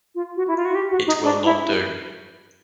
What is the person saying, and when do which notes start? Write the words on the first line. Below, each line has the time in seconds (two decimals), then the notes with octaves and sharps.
It will not do.
0.15 F4
0.36 F#4
0.48 E4
0.57 F4
0.65 F#4
0.75 G4
0.90 F#4
1.06 D#4
1.23 D4
1.44 E4